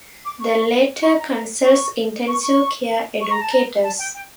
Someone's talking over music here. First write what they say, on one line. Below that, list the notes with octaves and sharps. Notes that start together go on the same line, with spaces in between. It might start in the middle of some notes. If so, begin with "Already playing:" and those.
The latter consults intensive care educators.
D6
C#6
C#6
A#5
A#5
C#6
C#6
C#6
C#6
A#5
A5
A#5
A5
G5
G5